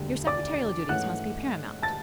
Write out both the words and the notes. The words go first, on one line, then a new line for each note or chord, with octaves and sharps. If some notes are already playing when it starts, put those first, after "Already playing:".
Your secretarial duties must be paramount.
Already playing: E1 D2 D3 G3
D5 D6
G#2 E3 A3 C#4 F#5 F#6
A5 A6